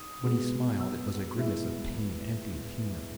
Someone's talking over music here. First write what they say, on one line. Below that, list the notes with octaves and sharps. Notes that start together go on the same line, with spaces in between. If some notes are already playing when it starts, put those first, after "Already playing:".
When he smiled it was a grimace of pain, empty of humor.
Already playing: D#6
B2 G#3 B3
E6
E3 G#3 B3 E4